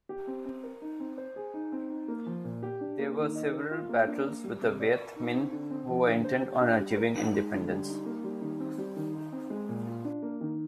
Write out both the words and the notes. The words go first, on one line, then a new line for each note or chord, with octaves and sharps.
There were several battles with the Viet Minh, who were intent on achieving independence.
G4
C4
C4
A#4
D#4
C4
C5
G#4
D#4
C4
D#4
A#3
F3
A#2
G4
D4
A#3
D#3
D#5
A#4
F4
A#3
D4
A#3
G3
C3
D5
A#4
D#4
C4
D3
C4
F3
D3
C5
G4
D4
G3
A#4
D#4
G#3
D3
G3
D#4
A#3
G3
D#3
C4
G3
D#3
D#4
C4
G#3
A#2
F4
D4
A#3
D#3